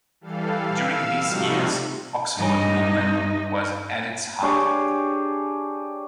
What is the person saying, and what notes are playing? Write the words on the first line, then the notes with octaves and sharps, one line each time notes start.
During these years the "Oxford Movement" was at its height.
E3 G3 A4 F5
F5 E6
C3 F3 G3 A3 D#4 F#4
G2 D#4 D#5
D4 G4 G#4 C#5